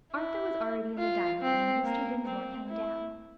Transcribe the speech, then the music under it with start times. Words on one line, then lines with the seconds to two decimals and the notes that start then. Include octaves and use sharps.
Arthur was already in the dining-room when Mr. Dinsmore came down.
0.12 E4
0.98 F4
1.41 C4
1.84 A#3
2.25 C4
2.68 E4